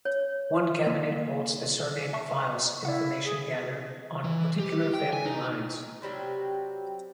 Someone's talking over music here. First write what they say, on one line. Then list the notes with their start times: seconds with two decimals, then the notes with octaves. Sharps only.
One cabinet holds the surname files-information gathered on particular family lines.
0.05 C#5
0.87 A#3
2.13 E5 A5 C#6
2.52 C#6
2.85 E4 D5 F5 F#5
3.24 G#4
4.24 E3
4.60 G4
4.94 G5
5.13 G#5
5.25 D#4
6.02 C3 F#3 G3 C4